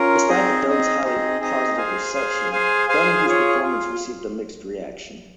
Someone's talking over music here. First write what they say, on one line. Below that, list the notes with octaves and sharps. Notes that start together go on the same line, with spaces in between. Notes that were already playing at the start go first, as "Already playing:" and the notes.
Despite the film's highly positive reception, Donahue's performance received a mixed reaction.
Already playing: C#4 F4 A#4
C4 D#4 G#4 D#5
C4 D#4 G#4 D#5
C4 D#4 G#4 D#5
C4 D#4 G#4 D#5
G#4 C5 F5 G#5
G#4 C5 F5 G#5
G#4 C5 F5 G#5
G#4 C5 F5 G#5
F4 G#4 C#5
F4